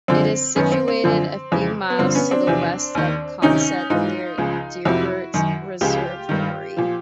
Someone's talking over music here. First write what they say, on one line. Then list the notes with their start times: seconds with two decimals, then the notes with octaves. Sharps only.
It is situated a few miles to the west of Consett, near Derwent Reservoir.
0.08 F#2 D3 F3 C4
0.56 F#2 D#3 B3 C#4
0.72 C4
0.88 C4
1.04 F#2 D3 F3
1.52 F2 C#3 E3
1.90 B3
1.99 G2 D3 F3 C4
2.15 B3 C#4
2.31 C4 D4
2.47 E2 C3 F3
2.95 D#2 D#3
3.42 D2 C3 D#3 C#4 D#4
3.90 G#2 E3 D#4 F4
4.38 C#2 C#3 F3
4.85 F2 C3 F3 E4 F#4
5.34 F#2 D#3
5.81 C#2 C#3 F3 F4 G4
6.29 G2 D#3
6.77 A#2 F3